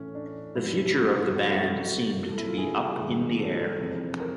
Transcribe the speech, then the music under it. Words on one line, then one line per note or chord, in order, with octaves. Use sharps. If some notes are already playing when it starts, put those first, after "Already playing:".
The future of the band seemed to be up in the air.
Already playing: A2 E3 A3 C#4
D4
G#2 F3 G#3 E4
C3 E3 A3 F#4
C3 E3 G3 A#3
A4
E4
F4
G#4
G2 D#3 G#3
A4
F2 C3 E3 G#3
A#4